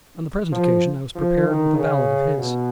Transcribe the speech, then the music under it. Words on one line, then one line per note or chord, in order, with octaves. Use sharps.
On the present occasion, I was prepared with a ballad of his.
F3
F3
D#3
C#3
B2